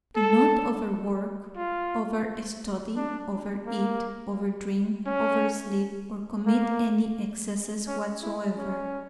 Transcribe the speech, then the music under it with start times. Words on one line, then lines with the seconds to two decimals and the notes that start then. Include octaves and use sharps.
Do not over-work, over-study, over-eat, over-drink, over-sleep, or commit any excess whatsoever.
0.16 A4
1.56 F4
2.96 D4
3.66 A#3
5.06 C#4
6.46 A#3
7.87 C#4
8.22 E4
8.57 C#4